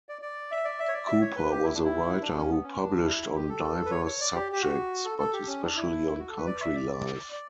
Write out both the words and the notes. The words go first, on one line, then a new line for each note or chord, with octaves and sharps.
Cooper was a writer who published on diverse subjects, but especially on country life.
D5
D5
E5
D5
E5
C#5
D5
E5
C#5
B4
G4
E4
D4
E4
D4
C#4
B3
C#4
D4
E4
G4
A4
B4
C#5
C#5
D5
G4
G4
F#4
A4
A4
G4
C#4
D4
E4
F#4
A4
B4
D5
E5
D5
D5